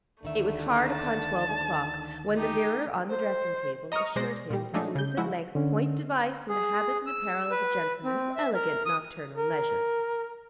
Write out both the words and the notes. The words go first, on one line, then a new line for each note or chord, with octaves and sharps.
It was hard upon twelve o'clock when the mirror on the dressing-table assured him that he was at length point-device in the habit and apparel of a gentleman of elegant nocturnal leisure.
D2 D3 D#3 A3 E5
A5
D#4 G4 A4
C5
D#5 A#5 C#6 D#6 F6
B2 G#3 C5 D5 A#6
A#2 G3
F3 F#3 G#3 A3 D4 D#4
C#3 G6
F3 G#3 E4 F#4
D3 C#4
G#4
E6
B4
C4
E5
A#4
D#6
A#4